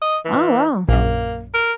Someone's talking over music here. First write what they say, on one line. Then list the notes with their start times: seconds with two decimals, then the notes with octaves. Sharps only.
Oh, wow.
0.02 D#5
0.25 E3
0.89 A#1 F#2 A#3
1.54 A#4